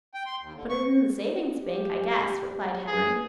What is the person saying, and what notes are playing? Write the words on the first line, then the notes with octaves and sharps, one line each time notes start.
"Put it in the savings bank, I guess," replied Henry.
G5
C6
D#2
D3
C#6
G4
G#4 B4